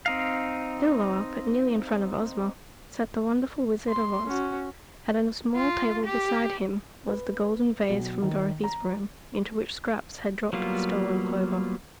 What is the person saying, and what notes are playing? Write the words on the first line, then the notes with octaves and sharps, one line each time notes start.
Still lower, but nearly in front of Ozma, sat the wonderful Wizard of Oz and on a small table beside him was the golden vase from Dorothy's room, into which Scraps had dropped the stolen clover.
C4 D#4 F5
C6
C#4 F#4
F4
G4
B4
B1
D#3
A#5
F#3 G3 A#3 B3 F4